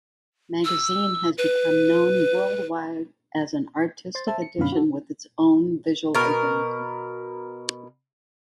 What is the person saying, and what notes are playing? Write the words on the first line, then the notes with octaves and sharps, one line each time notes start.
Magazine has become known worldwide as an artistic edition with its own visual identity.
E6
B4
C5 C6 A6
C5 E5 A5
C#7
F#2 B2 D3 C#4 F5 B5
F#4 A4
B2 A#4